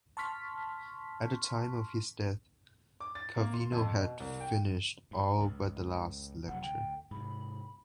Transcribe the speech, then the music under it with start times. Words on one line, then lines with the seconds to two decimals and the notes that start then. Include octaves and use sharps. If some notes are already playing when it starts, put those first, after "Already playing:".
At the time of his death Calvino had finished all but the last lecture.
0.17 A5 C6 C#6 F6 B6
3.00 D6
3.15 A6
3.36 A#3
3.54 C6
3.72 F2
3.94 B2
4.20 C2
4.40 G5
5.11 G2
5.40 C#2
6.47 F1 F#3 F#5
6.61 D2 G5
7.11 G#2 C3 B5